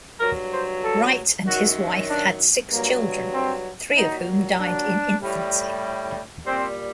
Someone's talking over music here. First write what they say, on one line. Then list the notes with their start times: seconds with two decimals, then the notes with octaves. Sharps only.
Wright and his wife had six children, three of whom died in infancy.
0.20 G2 F#3 A#4
0.51 C5
0.82 A4
1.45 F#2 D#3 F#3 F#4
2.08 D4
2.70 G2 F#3 A#3
3.32 C4
3.95 A#2 F#3 D#4
4.58 D4
5.20 A2 G3
6.45 A#2 G3 C4